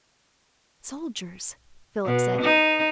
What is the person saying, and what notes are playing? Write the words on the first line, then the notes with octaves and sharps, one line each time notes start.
"Soldiers!" Philip said.
B2
D#4